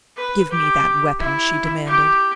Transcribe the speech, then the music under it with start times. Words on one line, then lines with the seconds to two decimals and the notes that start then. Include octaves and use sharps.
"Give me that weapon!" she demanded.
0.17 B4
0.51 G4
1.19 E4
1.86 G4